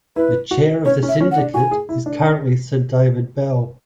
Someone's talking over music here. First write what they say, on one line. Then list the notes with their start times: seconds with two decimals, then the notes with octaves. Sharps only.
The Chair of the Syndicate is currently Sir David Bell.
0.16 E4 B4
0.51 F#4
0.85 C#4 C#5
1.03 C#4
1.09 E5
1.20 C#4
1.32 F#5
1.38 D4
1.54 F#4 G#5
1.71 G#4
1.89 E4
2.06 D4